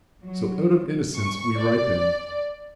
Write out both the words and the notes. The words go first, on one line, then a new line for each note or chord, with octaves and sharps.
So out of innocence we ripen.
F#3
C#6
D5